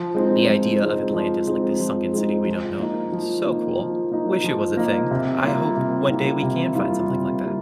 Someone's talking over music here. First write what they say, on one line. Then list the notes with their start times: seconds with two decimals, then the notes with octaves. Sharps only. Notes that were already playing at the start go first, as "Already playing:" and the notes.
the idea of Atlantis, like, this sunken city we don't know about- so cool, wish it was a thing. I hope one day we can find something like that,
Already playing: F3
0.14 G#3 C4 D#4
0.48 F3
0.81 G#3 C4 D#4
1.14 F3
1.48 G#3 C4 D#4
1.80 F3
2.13 G#3 C4 D#4
2.46 F3
2.80 A#3 D#4
3.12 F3
3.46 A#3 D#4
3.78 F3
4.11 A#3 D#4
4.44 F3
4.77 A#3 D#4
5.11 C3
5.44 G3 A#3 F4
5.77 C3
6.10 G3 A#3 F4
6.43 C3
6.75 G3 A#3 F4
7.10 C3
7.43 G3 A#3